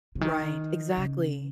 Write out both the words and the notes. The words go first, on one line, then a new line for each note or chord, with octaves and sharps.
Right, exactly,
C#3
D#3
C#3